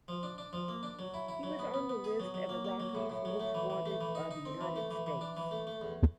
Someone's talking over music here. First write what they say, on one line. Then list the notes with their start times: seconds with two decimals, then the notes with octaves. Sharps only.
He was on the list of Iraqis most wanted by the United States.
0.08 F3
0.23 D4
0.38 D4
0.53 F3
0.68 A#3
0.83 D4
0.99 F#3
1.14 E4
1.28 E4
1.43 F#3
1.59 B3
1.74 B3
1.89 B3
2.04 G#4
2.20 F#3
2.34 F#3
2.49 A#3
2.65 A#3
2.80 F#3
2.95 A2
3.10 A2
3.25 F#3
3.40 A3
3.55 E3
3.70 E3
3.86 A3
4.01 E3
4.15 D#4
4.31 D#4
4.45 C4
4.61 E3
4.76 A3
4.91 E3
5.06 E3
5.21 D4
5.37 E3
5.51 A3
5.67 A3
5.81 E2